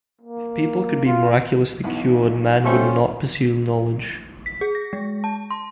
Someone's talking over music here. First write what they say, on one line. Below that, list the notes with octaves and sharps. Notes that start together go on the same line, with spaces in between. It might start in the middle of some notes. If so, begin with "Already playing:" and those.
If people could be miraculously cured man would not pursue knowledge.
A#3
F4
B1 E3 B3
G3 A3 C#4 F4 F#4 A4 C5 C#6
B6
G#4
A#6
G#3
A5
C6